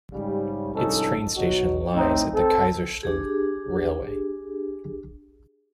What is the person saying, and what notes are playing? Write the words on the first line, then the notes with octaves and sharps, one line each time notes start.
Its train station lies at the Kaiserstuhl Railway.
G#2 C#3 G3
C2 G#2 F3 C#4 D#4 A4
B2 F#3 D#4 F#4
A2 C4 D#4
C4 A4
D4 G4 G#4